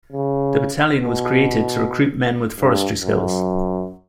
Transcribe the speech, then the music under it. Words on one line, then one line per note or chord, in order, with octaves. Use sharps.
The battalion was created to recruit men with forestry skills.
C#3
B2
G2
F#2